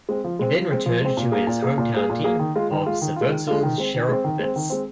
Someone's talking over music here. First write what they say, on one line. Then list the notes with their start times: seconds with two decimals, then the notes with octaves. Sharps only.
He then returned to his hometown team of Severstal Cherepovets.
0.09 G#3 C4
0.24 F3
0.39 G#3 C4
0.55 F3
0.71 G#3 C4
0.86 F3
1.01 G#3 C4
1.17 A#2
1.32 A#3 G#4
1.47 A#2
1.62 A#3 G#4
1.78 A#2
1.94 A#3 G#4
2.10 A#2
2.24 A#3 G#4
2.39 D#3
2.56 G#3 F4
2.71 D#3
2.87 G#3 F4
3.01 D#3
3.16 G#3 F4
3.32 D#3
3.47 G#3 F4
3.63 D#3
3.78 G#3 C4
3.94 D#3
4.09 G#3 C4
4.24 D#3
4.39 G#3 C4
4.56 D#3
4.70 G#3 C4